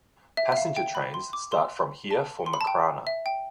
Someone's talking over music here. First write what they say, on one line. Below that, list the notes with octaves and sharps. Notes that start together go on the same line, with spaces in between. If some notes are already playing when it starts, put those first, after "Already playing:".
Passenger trains start from here for Makrana.
E5
E5
F5
G5
B5
C6
D6
C6
A5
C6
B5
A5
G5
E5
G5